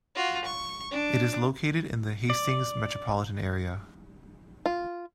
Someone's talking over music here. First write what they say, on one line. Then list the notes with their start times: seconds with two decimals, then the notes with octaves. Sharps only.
It is located in the Hastings Metropolitan Area.
0.15 F4 F#4
0.44 C#6
0.91 D4
2.30 D5
4.66 F4